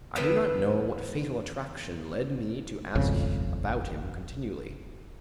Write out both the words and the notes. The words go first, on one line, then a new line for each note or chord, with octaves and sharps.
I do not know what fatal attraction led me to ask about him continually.
E2 D3 B3 E5 G5 C6
D#1 G#1 F2 C#3